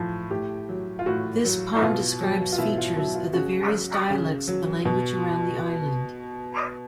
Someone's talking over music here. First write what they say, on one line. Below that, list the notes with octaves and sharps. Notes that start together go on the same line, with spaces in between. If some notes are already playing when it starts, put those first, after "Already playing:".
This poem describes features of the various dialects of the language around the Island.
Already playing: A2 F3
A2 G4
F#3
F4
A2 F#4
F#3
E4
B2 F4
F#3
F4
B2 E4
F4
F#3 E4
F4
C#3 F#4
F#3
C#3
F#3
B2